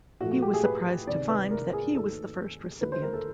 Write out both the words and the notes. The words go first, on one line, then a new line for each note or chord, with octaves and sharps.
He was surprised to find that he was the first recipient.
A#2 F3 A3 F#4
F#4
G4
G#4
B4
C#2 C3 D#3 G#3 D5
B4
A#4
G#4
D#2 D#3 F#3 A3 A4
D#2 D3 F#3 A3 B4
C5
A#4
A4